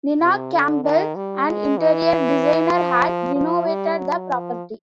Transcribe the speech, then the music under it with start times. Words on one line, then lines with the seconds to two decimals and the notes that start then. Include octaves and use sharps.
Nina Campbell, an interior designer, had renovated the property.
0.22 C3
0.53 D3
0.84 D#3
1.16 G3
1.47 G#3
1.78 E3
2.73 F3
3.35 F3
3.67 G3
3.98 F#3
4.30 F3